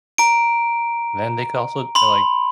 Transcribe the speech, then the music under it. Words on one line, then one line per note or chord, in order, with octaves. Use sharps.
then they could also d like
A#5 D7
B5 C6